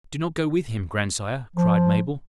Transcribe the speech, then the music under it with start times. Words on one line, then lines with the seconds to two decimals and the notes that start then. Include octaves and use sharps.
"Do not go with him, grandsire," cried Mabel.
1.56 F3